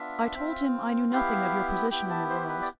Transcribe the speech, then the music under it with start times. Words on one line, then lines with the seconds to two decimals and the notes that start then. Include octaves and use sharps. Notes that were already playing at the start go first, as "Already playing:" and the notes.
I told him I knew nothing of your position in the world.
Already playing: B3 D4 F4 E5
0.35 C4 F4
1.13 B3 E4 G4 F5
1.91 B3 E4 G4 G5
2.10 A5
2.30 C5
2.49 B4
2.62 D5